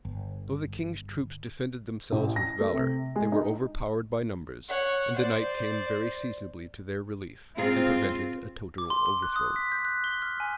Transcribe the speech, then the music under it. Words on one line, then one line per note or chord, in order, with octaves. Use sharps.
Though the king's troops defended themselves with valor, they were overpowered by numbers; and the night came very seasonably to their relief, and prevented a total overthrow.
G1
A1
A#6
A3
C3
G#3
D#4
C#5 F#5
C5 D5
G#2 C4 F4 G#4
D6
C6
C6
F#6
D#6
B6
G6
F#6
G7
F6
G#5